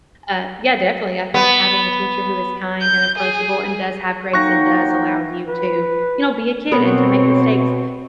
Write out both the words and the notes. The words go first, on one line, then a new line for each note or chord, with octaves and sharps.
uh, yeah, definitely, I think having a teacher who is kind and approachable and does have grace and does allow you to, you know, be a kid and to make mistakes,
B3
G6
G#4
F#3 A#3 D#4 G5 C#6 F#6 A#6
B4
B2 B3 C4 A#4 B4 C#5